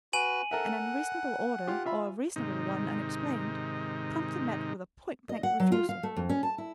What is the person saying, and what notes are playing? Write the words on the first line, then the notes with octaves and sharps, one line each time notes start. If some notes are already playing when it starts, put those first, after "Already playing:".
An unreasonable order, or a reasonable one unexplained, promptly met with a point-blank refusal.
F#4 B4 G#5 D#7 F#7
A4 A#4 E5 F#5
F4 G4
F4 E5 B5
G#2 C3 D#3 D#4
D#5
F#5
F#3
F4
F5
A3
F2
C#4
A5
E4